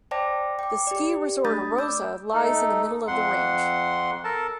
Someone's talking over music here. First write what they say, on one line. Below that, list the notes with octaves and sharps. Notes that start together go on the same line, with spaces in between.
The ski resort Arosa lies in the middle of the range.
C5 D5 G5 A5 D6 A#6
G5 D6
G4 D5
A3 D4 B5 D#6 G6 A6
D5 D6 E6 G6
A3 D#4 A4
F2 F#5 C6
A4 A#4 A5